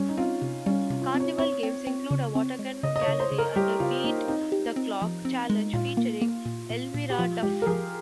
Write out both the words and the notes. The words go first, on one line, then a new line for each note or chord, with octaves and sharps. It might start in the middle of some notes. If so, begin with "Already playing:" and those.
Carnival games include a watergun gallery and a beat-the-clock challenge featuring Elmyra Duff.
Already playing: G3 C#4
D#4
C4 F4
C3
G3 C#4
C3
F4
C4
C#5
C4 C#5
C4
C4
C#3
C4
G#3
C#3 D#5
D#5
C#5
C#3
C5
C#3
A#4
G3 G4
C#3 F4
A#3 D#4
C4 D#4
G4
C4
F3
C4
G#3
A#2 F4
A#3
A#3
A#2
A#2
A#2
G4
F3 F4
G#3 G4
A#4
F3 G#4